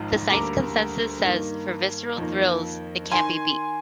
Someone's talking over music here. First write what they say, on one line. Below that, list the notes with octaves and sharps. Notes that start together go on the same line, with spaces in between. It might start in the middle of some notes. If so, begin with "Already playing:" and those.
The site's consensus says, For visceral thrills, it can't be beat.
Already playing: G#1 G#2 F3
D2 D3 G3 A#3 A#5 D6
G2 D#3 A#3
F2 D#3 A#3
D#3 G#5 C6